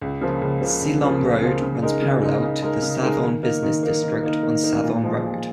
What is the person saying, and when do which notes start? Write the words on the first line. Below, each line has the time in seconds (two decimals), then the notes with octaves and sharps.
Silom Road runs parallel to the Sathorn business district on Sathon Road.
0.02 C#2
0.21 C#3 F3 A#3 F4
0.42 C#2
0.62 C#3 F3 A#3 F4
0.82 C#2
1.02 C#3 F3 A#3 F4
1.22 C#2
1.41 C#3 F3 A#3 F4
1.62 C#3
1.82 G#3 D#4 A#4
2.02 C#3
2.22 G#3 D#4 A#4
2.42 C#3
2.62 G#3 D#4 A#4
2.82 C#3
3.03 G#3 D#4 A#4
3.23 D#3
3.43 A#3 D#4 A#4
3.63 D#3
3.83 A#3 D#4 A#4
4.03 D#3
4.23 A#3 D#4 A#4
4.43 D#3
4.63 A#3 D#4 A#4
4.83 A#2
5.03 F3 G#3
5.23 A#2